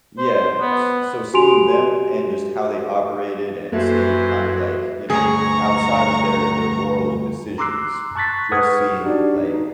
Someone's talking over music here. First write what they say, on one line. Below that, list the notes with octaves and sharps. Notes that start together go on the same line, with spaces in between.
yeah s so, seeing them and just how they operated and seeing kind of, like, you know, outside of their their moral decisions, just seeing like
C5
B3
F#4 G4 G#5 C6 D7 F7
F#2 E3 A#3 F#4 A4 B4 C5 E5
D2 G2 G#4 A#5 C#6
A#5 C6 D6 E6 F#6 C7
A5 C#6 F#6 A6 B6
B4 F#5 C#6 D#6 F6 G#6
D4 D#4 F#4 G4 D5
D#4